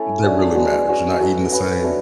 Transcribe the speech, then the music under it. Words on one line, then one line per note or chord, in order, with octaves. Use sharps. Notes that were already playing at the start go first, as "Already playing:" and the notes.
That really matters, you're not eating the same.
Already playing: A3 C#4 E4 A4
A3 D4 F#4 C#5
G#3 B3 F#4
C#4 F#4 C#5
B3 F#4 A4
C#4 F#4 B4
A3 D4 A4 C#5